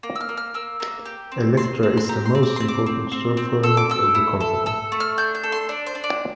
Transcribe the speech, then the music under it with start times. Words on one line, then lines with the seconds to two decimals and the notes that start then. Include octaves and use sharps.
Elektra is the most important store format of the company.
0.03 A#3
0.16 E6
0.21 F6
0.29 A#3
0.37 F6
0.54 A#3 E6
0.80 A#3
1.06 G4
1.32 C4
1.57 C4 C6
1.83 C4
1.97 C6
2.09 G4 A#5
2.26 C6
2.35 C4
2.43 D6
2.56 C4 C6
2.68 D6
2.86 C4
3.12 C4
3.37 C4
3.63 A4 E6
3.77 D6
3.90 A4 E6
4.15 E4
4.41 A4
4.66 A4 E6
4.92 A3
5.00 F6
5.18 D4 G6
5.35 G6
5.43 A4
5.52 C6
5.69 D4 D5
5.86 C5
5.95 D4
6.04 D5